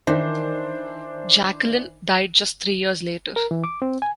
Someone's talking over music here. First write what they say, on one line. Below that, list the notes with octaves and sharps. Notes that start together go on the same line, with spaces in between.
Jacqueline died just three years later.
D#3 E3 D4 C5
A#4
E3
D6
C4
G#5